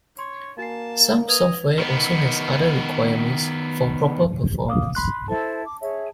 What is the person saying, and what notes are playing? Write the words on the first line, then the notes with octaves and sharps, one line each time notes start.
Some software also has other requirements for proper performance.
C#5 C6
A#3 F#4 G#5 A5 C7
B4 D#5 G#6 F7
D#3 B3
F5 D6 D#6
B5 C6 F#6
E4 A4 C5 A5
D6
G#4 C#5 E5